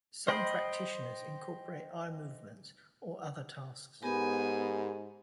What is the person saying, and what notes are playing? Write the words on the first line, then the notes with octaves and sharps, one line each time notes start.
Some practitioners incorporate eye movements or other tasks.
C5 D#5 G5 B5 C6
G#2 B3 G4 A#4 G#5 B5